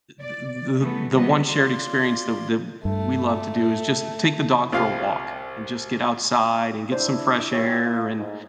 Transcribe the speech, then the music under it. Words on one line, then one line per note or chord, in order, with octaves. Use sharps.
the, the the the one shared experience that that we love to do is just take the dog for a walk and just get outside and get some fresh air and,
D5
E3 G3 A3 B3
D#3 G3 B3 C4 D#5
F4 D5 C6
G2 A3
C2 F4 G4 F5
D4 E4 C5
D6
F#3 G4 C#5
F4
G#2